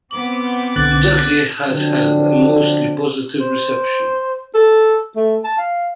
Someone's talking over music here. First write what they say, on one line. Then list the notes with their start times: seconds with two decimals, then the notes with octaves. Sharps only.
Dudley has had a mostly positive reception.
0.11 B3 C4 D6 F#7
0.76 B1 D3 F#6 A6 F#7
1.69 D3 F3 F#3 C4 D4
3.40 C5
4.55 A4
5.16 A3
5.44 A5
5.58 F5